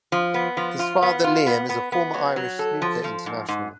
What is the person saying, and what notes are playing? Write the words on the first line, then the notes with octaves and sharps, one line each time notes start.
His father Liam is a former Irish snooker international.
F3
B3
F3
F4
B3
F4
B3
B3
B3
F#3
F#3
A4
F3
F3
G#2
G#2